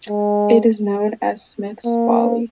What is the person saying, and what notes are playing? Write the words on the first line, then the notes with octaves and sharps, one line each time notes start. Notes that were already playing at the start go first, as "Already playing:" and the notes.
It is known as "Smith's Folly".
G#3
A#3